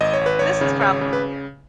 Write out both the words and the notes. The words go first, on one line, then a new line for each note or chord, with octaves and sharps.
this is probably, you know"
G#1 D#5
C#5
G#1 B4
G#1 C#5
C#3
G#1 C#5
C#3
B4